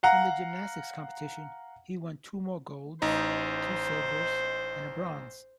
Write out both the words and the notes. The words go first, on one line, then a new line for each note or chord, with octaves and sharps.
In the gymnastics competition, he won two more golds, two silvers, and a bronze.
F5 F#5 A#5
A1 D#4 C5